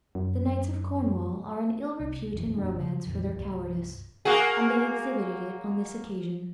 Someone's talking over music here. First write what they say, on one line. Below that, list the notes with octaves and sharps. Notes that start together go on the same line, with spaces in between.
The knights of Cornwall are in ill repute in romance for their cowardice, and they exhibited it on this occasion.
F#2
C2
F1 B1 F#2 E3
E1 F#2 A#3 D4
C#3
A#1 F2 E3
C2 G2
A#3 F#4 G#4